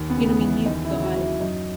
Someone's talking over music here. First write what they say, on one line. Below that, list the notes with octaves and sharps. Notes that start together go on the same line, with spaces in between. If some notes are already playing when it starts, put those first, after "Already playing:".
you know, I mean, you've got,
Already playing: D#2
B3
C#3
B3
E3
D#2 D#4
E4
C#3
F#4
F#3
E4
F#2 D#4